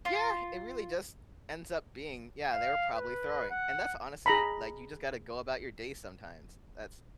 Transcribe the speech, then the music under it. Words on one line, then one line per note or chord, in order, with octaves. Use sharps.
Yeah, it really just ends up being, "Yeah, they were probably throwing." And that's honestly, like, you just gotta go about your day sometimes. That's
F4
F5
B4
F#5
G#4 A#5 B5